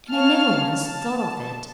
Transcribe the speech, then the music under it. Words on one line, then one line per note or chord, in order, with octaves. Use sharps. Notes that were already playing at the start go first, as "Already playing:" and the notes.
"And I never once thought of it."
C#5 F5 A5 F6
A5